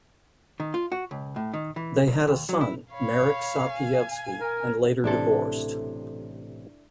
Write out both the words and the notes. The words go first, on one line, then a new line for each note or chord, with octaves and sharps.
They had a son, Marek Sapieyevski, and later divorced.
D#3
F4
F#4
C#2
A2
D#3
E3
B1
D#2
F#3
E4
C#5 F5 B5
G#5
A#4
A1 C3 D4 E4 A4